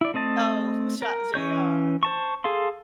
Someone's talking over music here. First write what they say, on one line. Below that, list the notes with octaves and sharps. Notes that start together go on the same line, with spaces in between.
Oh, "Who shot JR?"
E4 D5
A3 C4 D#5 A5
A#4
E3 C#4 C#5 G6
C5 A5 C#6
G#4 A4 F5 C6